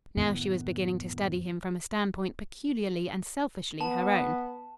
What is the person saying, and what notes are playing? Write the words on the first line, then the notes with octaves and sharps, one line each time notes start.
Now she was beginning to study him from a standpoint peculiarly and selfishly her own.
F#2 A2 D#3 B3
B3 A5